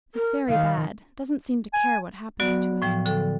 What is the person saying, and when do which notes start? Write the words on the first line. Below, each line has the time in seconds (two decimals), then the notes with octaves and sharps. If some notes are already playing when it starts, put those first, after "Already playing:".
It's very bad - doesn't seem to care what happens to it.
0.15 A#4
0.49 D#3 F5
1.73 G#5
2.40 F#3 B3 F#4 D5
2.82 A2 F3 G5
3.06 D3 A4 G5